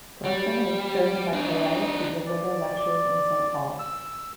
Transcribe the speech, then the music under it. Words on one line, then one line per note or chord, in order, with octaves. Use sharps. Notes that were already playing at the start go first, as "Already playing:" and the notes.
Grocyn was chosen by Colet to deliver lectures in Saint Paul's.
G3
D4 D#4
D5
D5
E6